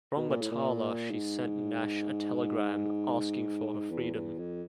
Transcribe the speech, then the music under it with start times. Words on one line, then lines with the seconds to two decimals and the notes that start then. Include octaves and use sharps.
From Matala, she sent Nash a telegram asking for her freedom.
0.17 B2
0.29 A#2
0.41 A2
0.52 A#2
1.11 G#2
3.90 E2
4.14 E2
4.38 F2